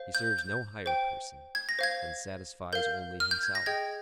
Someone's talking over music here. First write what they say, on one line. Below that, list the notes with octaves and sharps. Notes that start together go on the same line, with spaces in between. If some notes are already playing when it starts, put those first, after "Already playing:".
He serves no higher person, and satisfies only himself.
Already playing: C5 F5
G6
G6
C5 G5
G#6
A#6
C5 F5 G#6
A#4 F5 G6
F6
G6
G#6
A#6
G#4 D#5 G5 G#6